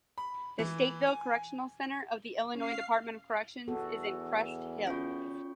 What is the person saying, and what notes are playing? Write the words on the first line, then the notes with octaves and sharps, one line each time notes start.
The Stateville Correctional Center of the Illinois Department of Corrections is in Crest Hill.
B5
E3
G#5
C#4 F5 C7
E2 F#4 A4
C#4 F4 C#6